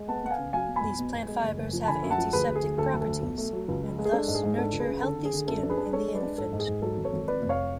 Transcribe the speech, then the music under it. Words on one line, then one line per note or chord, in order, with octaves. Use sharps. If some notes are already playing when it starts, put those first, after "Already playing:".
These plant fibres have antiseptic properties, and thus nurture healthy skin in the infant.
Already playing: G#3
B3 F#5 A5
B3 F#5
F5 G#5
C#3
F#3 F5 G#5
B2
G#5 B5
B1
B2
B1
G#3
F#1
F#1
F3
A5
D3 G#5 B5
F#2
F#5 A5
F3
D2 G#4 B4
D2
G#4
D2
D2 A4
D2
A4
D2
B1
A3
F#3
C#2
G#3
G#3
G#4
D4 A4
G#2
G#4
G#2
D4 A4
C#2
G#4 B4
C#3
D3 A4
D3
G#4
D3
F#2 A4
D4
G#4 B4
D4
D4 A4 C#5
G#3
B4 D5
D4
G#2 A4
G#2
G#4
G#2
F#3 A4
G#1
A4 C#5
G#1
F2 B4 D5
F1
C#5 F5